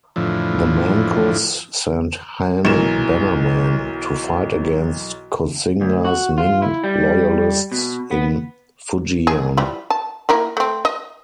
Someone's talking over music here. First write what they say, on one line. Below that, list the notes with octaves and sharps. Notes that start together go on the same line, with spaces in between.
The Manchus sent Han Bannermen to fight against Koxinga's Ming loyalists in Fujian.
F2 A2 D3 E3 F3
B1 E3 A#4 E7
D2
F#4
F4
E4
G3
B2
B3
G#4
E3 F3 G3
A5
A#3 E4 A#4
A3 C4
D#5